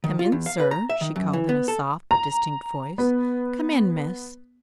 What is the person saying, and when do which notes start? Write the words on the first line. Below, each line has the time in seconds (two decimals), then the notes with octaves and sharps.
"Come in, sir," she called in a soft but distinct voice; "come in, miss."
0.04 D#3
0.19 F4
0.32 E2
0.46 F5
0.60 B4
0.71 A#5
0.90 E5
1.01 D#3
1.16 F#2
1.33 E3
1.49 B3
1.68 A4
2.11 A#5
2.98 B3